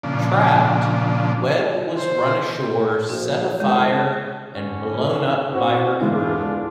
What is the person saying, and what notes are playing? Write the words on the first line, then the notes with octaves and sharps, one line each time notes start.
Trapped, Webb was run ashore, set afire, and blown up by her crew.
A#2 C#3 F3 D4
C5
A#1 F#4
G1 G#3
D3 C#4
C4 E4 F#4
E3 G#3 B3 D4 F4